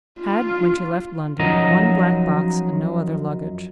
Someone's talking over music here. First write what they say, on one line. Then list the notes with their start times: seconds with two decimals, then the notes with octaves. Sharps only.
Had, when she left London, one black box, and no other luggage.
0.21 F4
1.39 F#2 F3 F#3 D#4 D#5